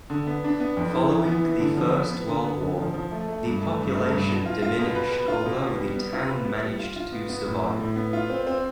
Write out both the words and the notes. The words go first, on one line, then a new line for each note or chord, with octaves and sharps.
Following the First World War, the population diminished although the town managed to survive.
D3
B3
D4
B3
F2
E3
E3
B3
E3
D3
F3
B3
B3
D3
B3
D3
F3
F3
A3
A3
G2
A3
G2
A3
G2
B2
F4
F4
B2
B4
B4
F4
B2
B3
G3
B3
F4
B4
B3
G3
F4
F4
B3
B3
A2
A2
A2
B3
F4
C4
C4